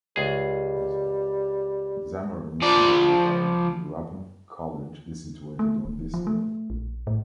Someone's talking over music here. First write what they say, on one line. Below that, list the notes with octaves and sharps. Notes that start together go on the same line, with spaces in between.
Zamorins Guruvayurappan College is situated on this hill.
C#2 G3 G#4
F3 D5
A3
D1
F3
A3
A#1
A2